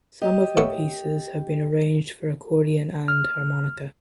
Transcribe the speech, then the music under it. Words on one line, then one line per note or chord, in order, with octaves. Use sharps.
Some of her pieces have been arranged for accordion and harmonica.
G4 D#5
A2 B3 C#6
F6